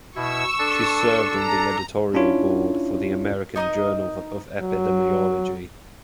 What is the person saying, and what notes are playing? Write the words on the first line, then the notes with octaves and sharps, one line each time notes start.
She served on the editorial board for the "American Journal of Epidemiology".
B2 E4 C#6 E6
D4 A4
A#5
C#4 D4 E4 F4 C#5
D#4 A#4 D5 D#5
F#3